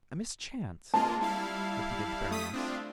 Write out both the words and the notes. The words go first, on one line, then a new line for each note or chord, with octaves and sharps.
"A mischance?" repeated the baroness.
G#3 A#3 F4 A5
G3 E4 F5
A3 D#6 B6
C4 D4 F4